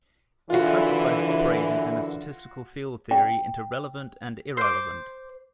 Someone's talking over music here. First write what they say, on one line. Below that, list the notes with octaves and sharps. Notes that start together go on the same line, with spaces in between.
It classifies operators in a statistical field theory into relevant and irrelevant.
F#2 D3 E3 F4 F#4
G5
C5 D6